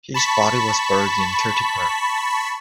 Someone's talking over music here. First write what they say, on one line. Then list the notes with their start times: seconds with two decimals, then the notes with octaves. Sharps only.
His body was buried in Kirtipur.
0.14 A5 B5 C#6 B6